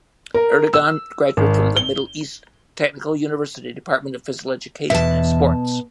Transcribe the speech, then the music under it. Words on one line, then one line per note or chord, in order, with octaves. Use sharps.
Erdogan graduated from Middle East Technical University Department of Physical Education and Sports.
A#4
E6
G#1
G7
E2 B2 E5 A5